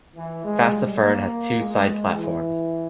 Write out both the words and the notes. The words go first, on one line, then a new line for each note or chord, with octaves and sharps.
Fassifern has two side platforms.
E3
G#3
G3
A#3
G#3
E3